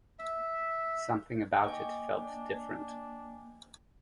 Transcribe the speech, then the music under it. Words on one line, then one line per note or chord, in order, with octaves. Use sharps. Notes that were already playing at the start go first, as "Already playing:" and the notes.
Something about it felt different.
E5
A#3 D#5 G5 G#5 C#6 D6
D4